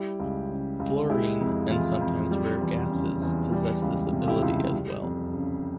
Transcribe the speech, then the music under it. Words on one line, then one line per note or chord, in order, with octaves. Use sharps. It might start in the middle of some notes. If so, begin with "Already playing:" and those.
Fluorine and sometimes rare gases possess this ability as well.
Already playing: G3 E4 G4
C#2
C#3
C#2
G#3 E4 G4
F2
E3 F4
F2
G3
E2
C#3
E2
G3
C#2
C3
F4
E4 G4
C#2 E4 G4
G3
F2
C#3